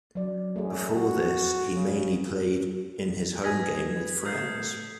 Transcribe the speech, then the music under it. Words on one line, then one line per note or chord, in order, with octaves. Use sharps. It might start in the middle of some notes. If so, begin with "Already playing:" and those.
Before this, he mainly played in his home game with friends.
F#3 D5
F#2 A3 G#4
F#4
C#3
B4 D#5 G#5 D#6 G#6 B6
A2 B3 A4 A#4 D#6 G6 C7